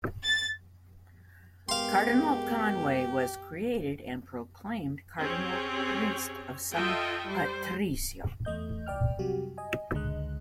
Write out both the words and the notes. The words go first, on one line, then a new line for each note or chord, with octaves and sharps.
Cardinal Conway was created and proclaimed Cardinal-Priest of San Patrizio.
A6
G#3 B3 G4 A#4 F5 C6
C4 C#4 G4 G#4 C#5
F4 A4 D#5 E5 G5
G3 C5
E2 A3 D#5 G6
C2 D5 G5 F6
C3 F#3 G3 F#4 G4
D#5 G#5
C#2 D3 G#3 D#5 F#6